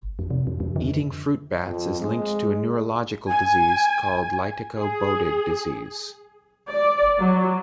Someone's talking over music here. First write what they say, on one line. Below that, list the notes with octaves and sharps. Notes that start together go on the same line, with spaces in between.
Eating fruit bats is linked to a neurological disease called lytico-bodig disease.
F2
C3
F2
F2
D3
F2
G#3
G#5
G#4
D5
F#3